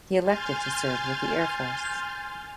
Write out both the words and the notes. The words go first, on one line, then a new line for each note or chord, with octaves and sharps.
He elected to serve with the Air Force.
G#5 C6 F6 G6 A6